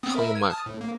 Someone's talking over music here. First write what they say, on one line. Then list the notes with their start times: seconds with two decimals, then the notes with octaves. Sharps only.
Oh my
0.03 B3 C4 D#6
0.15 A#4 E5 B5
0.35 G#6
0.50 A5 D#6 F6
0.66 A2
0.81 A#3